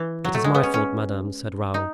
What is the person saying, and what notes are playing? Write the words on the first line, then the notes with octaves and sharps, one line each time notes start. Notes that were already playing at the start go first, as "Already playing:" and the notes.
"It is my fault, madame," said Raoul.
Already playing: E3
F#3
A3
G#3
B3
C#4
C#4
D#4